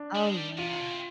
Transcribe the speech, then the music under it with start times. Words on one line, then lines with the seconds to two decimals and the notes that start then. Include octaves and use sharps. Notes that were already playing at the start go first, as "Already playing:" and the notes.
Oh, yeah.
Already playing: D4
0.15 G3
0.26 G#3
0.36 G3
0.58 C3 F4
0.69 C3
0.80 B2
0.91 C3